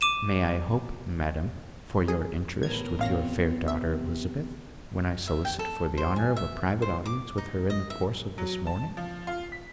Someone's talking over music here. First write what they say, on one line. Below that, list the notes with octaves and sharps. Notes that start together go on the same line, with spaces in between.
"May I hope, madam, for your interest with your fair daughter Elizabeth, when I solicit for the honour of a private audience with her in the course of this morning?"
D6 D#7 E7
G#4
A2 B3 A#4 B4 G#6
A1 C4 F4 C#5 F5 A#6
C3 E5
E5
G5
A4
C5
G#5
E5
C5
D6
D#4
D#5
E5
F#3
A5
F3
F4
B6